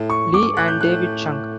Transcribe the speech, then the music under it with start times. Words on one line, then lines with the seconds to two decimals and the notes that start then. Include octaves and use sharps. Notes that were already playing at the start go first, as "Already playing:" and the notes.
Li and David Chung.
Already playing: A2
0.10 C#6
0.32 E2 D6
0.40 F#2
0.48 G2
0.57 A2 F#6
0.68 G6
0.81 F#6